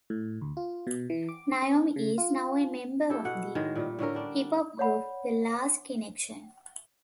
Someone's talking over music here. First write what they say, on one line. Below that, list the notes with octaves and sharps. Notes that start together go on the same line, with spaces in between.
Naomi is now a member of the hip-hop group The Last Kinection.
A2
D2
F4
B2
E3
D6
C4
C#3
F4
E4 G4 A4
B2 F#5
A2 D#3 G#3 G#4
A#2 G3 A3
A2 D3 C#4 A#4
G3 D4
C#5 D5 F#5 B5